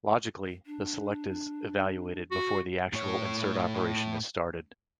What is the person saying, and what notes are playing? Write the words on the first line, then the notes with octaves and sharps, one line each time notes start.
Logically, the select is evaluated before the actual insert operation is started.
D4
F#4
A2 C#5